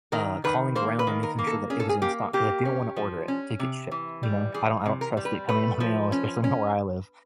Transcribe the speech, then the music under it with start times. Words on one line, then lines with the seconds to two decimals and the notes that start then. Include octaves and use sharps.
uh, calling around and making sure that it was in stock- 'cause I didn't wanna order it to get shipped, you know? I don't I don't trust it coming in the mail, especially not where I live-
0.12 D#3 A#4
0.44 D#3 B4
0.75 A#3 C5
0.99 B4
1.07 D#3
1.23 A#4
1.39 A#3
1.47 A4
1.70 C#4 G#4
1.80 A4
1.89 G#4
2.02 A#3 G4
2.33 A#3 G4
2.65 C#4
2.96 F3
3.28 C#4
3.59 C3
3.91 E3
4.23 G3
4.54 E3 G#4
4.86 C3
5.01 A#4
5.17 G3
5.25 B4
5.49 A3 B4
5.80 F3
6.12 C#4
6.44 C#4